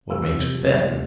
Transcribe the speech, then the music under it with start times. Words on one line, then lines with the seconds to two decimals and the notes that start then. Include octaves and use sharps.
What makes bettin'?
0.10 F2 E6
0.33 C3
0.54 F2
0.76 F2